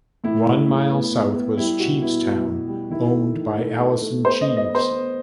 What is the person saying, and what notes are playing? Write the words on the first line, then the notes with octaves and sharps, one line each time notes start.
One mile south was Chevestown, owned by Allison Cheeves.
A2 E4
A2
A2
B3
B3
B3
G3 E4
B2 F#4
B3 E4
B2
B2
G3
D#3 E4
A3
D#3
A3
A3
A3
B3 C5
D#5
B3
D#5
B3
C5
B3